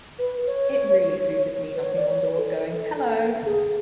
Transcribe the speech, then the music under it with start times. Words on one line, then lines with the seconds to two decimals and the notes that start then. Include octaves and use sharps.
It really suited me knocking on doors going Hello!
0.19 B4
0.46 C#5
1.75 B4
1.82 C#5
1.96 D5
2.10 C#5
2.23 B4
2.37 A4
3.46 G#4